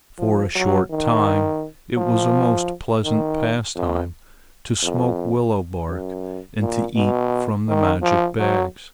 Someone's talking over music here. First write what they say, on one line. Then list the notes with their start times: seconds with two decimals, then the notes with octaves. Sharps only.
For a short time it was a most pleasant pastime to smoke willow bark and to eat from the magic bags.
0.19 F3
0.55 F#3
0.90 D#3
1.97 F3
3.04 D#3
3.75 F2
4.82 F2
5.89 F#2
6.60 A#2
6.96 B2
7.68 D#3
8.02 F3
8.39 F#3